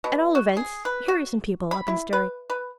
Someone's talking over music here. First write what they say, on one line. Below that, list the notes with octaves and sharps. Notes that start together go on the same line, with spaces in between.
At all events here are some people up and stirring.
B2
F#4
G#4
B4
F#4
B5
E4
B4
B4